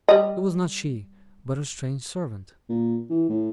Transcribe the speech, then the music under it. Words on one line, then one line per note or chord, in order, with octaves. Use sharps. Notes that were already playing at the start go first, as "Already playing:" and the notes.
It was not she, but a strange servant.
G3 D#5
A#2
E3
A2